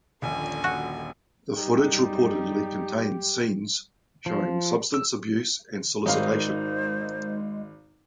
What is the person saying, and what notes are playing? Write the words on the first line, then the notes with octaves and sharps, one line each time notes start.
The footage reportedly contained scenes showing substance abuse and solicitation.
D#1 A#1 D3 C#4 G#5
F#4
F#2 G3 D#4 G4
F3
E6
G#1 G#3 D#4 A#4 C5 F5